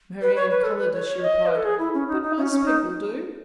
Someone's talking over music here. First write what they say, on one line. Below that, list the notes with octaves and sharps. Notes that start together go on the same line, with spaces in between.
Marianne coloured as she replied, "But most people do."
B4
C#5
B4
A4
B4
C#5
C#5
D#5
B4
A4
G#4
E4
C#4
D#4
D#4
C#4
C#4
D#4